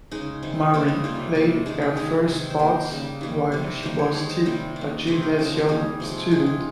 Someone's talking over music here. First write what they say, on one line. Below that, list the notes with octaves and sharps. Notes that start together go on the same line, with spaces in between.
Mary played her first parts while she was still a gymnasium student.
C#3 G#3 D#4
C3 D#3 G3
C#3 G3 A#3 C4
D#4
C3 G3 A#3 F4
C3 G3 A#3
D#3 G#3 D#4
G4
D#3 G#3 G#4
C3 D#3 G#3
C5
D#3 A#3 A#4
C#3 G3 A#3
D#3 G3 A#3
C3 G3 A#3
D#3 G3 A#3 C5
C#5
D#3 G#3 C#5
C5
C3 G3 A#3 A#4
D#3
A#3
C3 D#3 G#3 C5
A#4
C#3 F3 G#3
G4
D#3 G3 A#3 G#4
C3 F3 G#3
D#3 G#3 G#4
F4